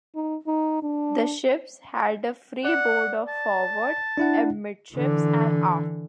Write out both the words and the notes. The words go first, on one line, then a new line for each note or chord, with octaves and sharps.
The ships had a freeboard of forward, amidships, and aft.
D#4
D#4
D4
D5 F#5
A5
D4 E4 F#5
D3 E3